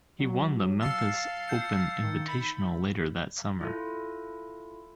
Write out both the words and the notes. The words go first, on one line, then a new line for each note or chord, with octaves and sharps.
He won the Memphis Open Invitational later that summer.
F#3
F5 A5 E6 A6 C7 C#7
G6 C#7
D#3
B5
E4 F4 A4